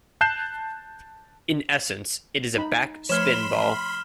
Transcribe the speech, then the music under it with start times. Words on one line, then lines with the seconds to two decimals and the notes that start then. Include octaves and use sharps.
In essence it is a back spin ball.
0.21 A5 F#6 G6 C7 E7
2.57 D#4 B5
3.09 F3 A3 B4 C#5 B5 C6 F6 E7